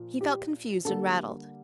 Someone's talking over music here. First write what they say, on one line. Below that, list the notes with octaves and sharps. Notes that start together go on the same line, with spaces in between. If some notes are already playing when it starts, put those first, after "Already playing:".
He felt confused and rattled.
Already playing: A#2 F3 A#3
G4
D3 G3 A#3 A4